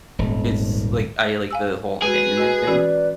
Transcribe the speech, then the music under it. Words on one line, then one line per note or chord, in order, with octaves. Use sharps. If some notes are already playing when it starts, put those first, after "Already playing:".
it's like, I like the whole abandonment thing.
D#1 G#1
F5 G#5 E6
G#3 F#4 G#4 B4
F#4 D#5 G#5
E3 C#4 F#4 D5